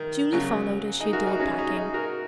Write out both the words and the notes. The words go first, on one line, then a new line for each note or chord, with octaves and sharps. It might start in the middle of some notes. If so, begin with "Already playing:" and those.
Julie followed, as she adored packing.
Already playing: D#3
C#3 F#3
D#4 G#4
F#4 A#4
D#4 G#4
C#4 F#4
D#4 G#4
D#4 G#4
F#4 A#4